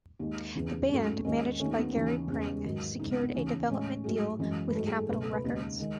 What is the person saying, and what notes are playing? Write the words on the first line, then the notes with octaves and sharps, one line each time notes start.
The band, managed by Gary Pring, secured a development deal with Capitol Records.
D#2 D#3 G#3
E2 C#3 E3
G#2 F#3 A3 C#4
D#2 D#3 G#3 C#4
D#2 D#3 A3 C#4
B3
D#2 C#3 E3 C#4
E2 C#3 G#3 C#4
G#2 D#3 F#3
C#2 C#3 G#3 D#4
B3
B3
D#2 C#3 E3 C#4
A2 G#3 C#4
G#2 F#3 A3 G#4
F#2 E3 G#3
B4
G#2 F#3 A3 A4
G#4
A4
C#2 B2 F#3 A3 B4
A4
B4
D#2 C#3 G#3 D#4
D#3 G#3